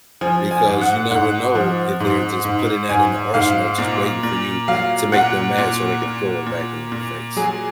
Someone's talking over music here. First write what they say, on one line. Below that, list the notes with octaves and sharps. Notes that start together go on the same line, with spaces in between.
because you never know if they're just putting that in the arsenal, just waiting for you to make them mad so they could throw it back in your face.
F3 G#5
G#5
G#2
F#5
G#2 F#5
F3
G#2
G#2
G#2 G#5
G#2 F5
A#2
A#2
F#3 F5
A#2 F#5
A#2
A#2
A#2
A#2
F#3 G#4